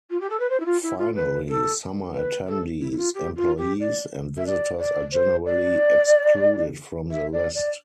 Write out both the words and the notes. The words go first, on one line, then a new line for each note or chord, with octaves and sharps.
Finally, summer attendees, employees and visitors are generally excluded from the list.
F4
G4
A4
B4
C5
E4
F4
E4
F4
B4
A4
B4
A4
E4
E4
F4
G4
F4
G4
D5
E5
D5
D5
C5
D5
E5
D5
D5